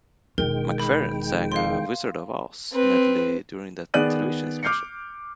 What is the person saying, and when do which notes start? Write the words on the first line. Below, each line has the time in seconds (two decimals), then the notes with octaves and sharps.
McFerrin sang a "Wizard of Oz" medley during that television special.
0.38 E1 D#3 G#3 F4 A#4 G5
0.79 B5
1.52 F5 C6
2.72 C4 B4
3.94 D#3 B3 G#4 D5 F#6 D#7
4.63 D6 F6 G6 C7 C#7